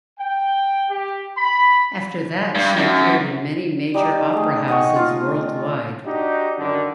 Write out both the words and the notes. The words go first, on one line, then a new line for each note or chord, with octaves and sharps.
After that she appeared in many major opera houses worldwide.
G5
G4
B5
G2
F#2
G3 D#4 G4
A3 G#4
D#5 F#5 G5 C#6
F4 F5
D4 D#4 F#4 G4
F#2 D3 D#3 D4